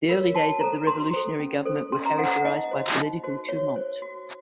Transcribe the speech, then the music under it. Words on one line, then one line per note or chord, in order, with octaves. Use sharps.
The early days of the revolutionary government were characterized by political tumult.
F4 A#4 C#5
F#4 A5
A4 C5 A#5
F#4 C6
A4 C5
C#4
A4 C5
C#4 C6
A#5
A4 C5 F#5
F#5
D#4 D#5
F#4 C5
D#4
F#4 C5
F#4 C#5
C5
F#4